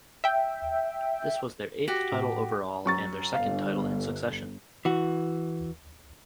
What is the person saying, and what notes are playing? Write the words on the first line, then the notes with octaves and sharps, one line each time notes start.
This was their eighth title overall and their second title in succession.
E5 G5
F#4 G4
A2
F#2 C#6 A6
G1 F5
E3 F#4